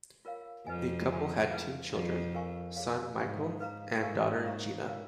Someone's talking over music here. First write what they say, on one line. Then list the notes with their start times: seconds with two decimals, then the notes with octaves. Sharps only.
The couple had two children: son Michael and daughter Gina.
0.25 F4 A#4 C#5 F5
0.67 F2 B4 D#5 G#5
1.09 F4 G#4 C#5 G#5 B5
1.50 G#4 B4 F5
1.92 F2 F4 G#4 D#5
2.34 A#4 F5 G#5 C#6
2.76 G#4 C#5 F5
3.18 G#2 G#4 C#5 F5 G#5 C#6
3.60 B4 F5 A#5
4.02 G#2 A#4 F5 G#5 C#6
4.44 F#4 C#5 F5 A#5 C#6
4.86 C#4 F4 A#4 C#5 F5